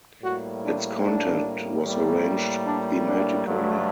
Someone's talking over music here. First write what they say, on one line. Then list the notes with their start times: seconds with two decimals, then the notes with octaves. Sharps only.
Its content was arranged thematically.
0.22 A2 G3 A#3 F#4
0.63 D4
1.03 D4
1.85 A2 G3 A#3
2.65 D4
3.05 D4
3.46 G2 F#3 A3